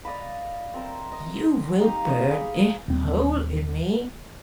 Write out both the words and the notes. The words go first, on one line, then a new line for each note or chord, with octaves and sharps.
You will burn a hole in me.
D5 D#5 F5 B5
C4 A#4 E5
D#5
D#4 G4 F5 D#6
G4 C#5 D#5
G#4 B5
D#1 C4